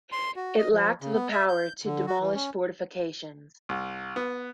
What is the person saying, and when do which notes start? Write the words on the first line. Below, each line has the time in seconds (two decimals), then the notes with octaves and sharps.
It lacked the power to demolish fortifications.
0.12 C6
0.36 F#4
0.58 D#5
0.73 F3
1.02 C#3
1.13 B3
1.32 E5
1.49 G6
1.85 D3
2.06 F#4
2.21 E3
2.35 C#4
3.69 C2
4.16 B3